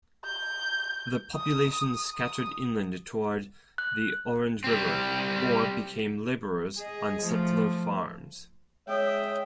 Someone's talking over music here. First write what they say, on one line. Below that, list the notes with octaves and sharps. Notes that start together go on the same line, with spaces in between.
The population scattered inland toward the Orange River or became laborers on settler farms.
G6
D#6
D#6
F#6
G3 C4
G#4 D#5
F3 A3
G#3 C#5 E5 G5 D#6